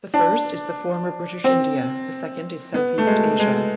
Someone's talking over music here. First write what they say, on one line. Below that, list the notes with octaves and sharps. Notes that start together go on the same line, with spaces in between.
The first is the former British India, the second is Southeast Asia.
D4
C4
B3
A3
G#3
G#3